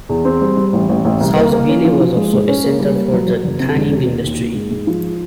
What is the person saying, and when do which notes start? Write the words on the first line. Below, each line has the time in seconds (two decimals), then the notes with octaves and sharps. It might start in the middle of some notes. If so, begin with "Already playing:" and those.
Southville was also a centre for the tanning industry.
0.09 E2
0.25 C4
0.42 G3
0.57 G3
0.73 A1
0.89 A1
1.05 A1
1.21 C2
1.36 A#3
1.53 A#3
1.69 C#4
1.85 F3
2.00 F3
2.16 G#3
2.33 G#2
2.48 C#4
2.64 A#3
2.80 G3
2.96 A#3
3.12 F#3
3.28 F#3
3.44 F#1
3.60 C3
3.75 E1
3.91 C3
4.08 D#2
4.23 D#2
4.39 D#2
4.55 G#2
4.71 G#2
4.87 F3